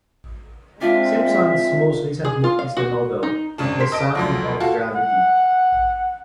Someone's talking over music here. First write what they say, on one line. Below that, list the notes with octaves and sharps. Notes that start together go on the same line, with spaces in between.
Simpson's most recent book is the novel "The Sound of Gravity".
G#3 C4 D4 F4 E5
G#4
F4
F5
F#4
D#4
G#1 C#3 D4
A#4 C5 B6
D#5 A5 D7
D2 F3 F#3
F4 F#4 A4
F#5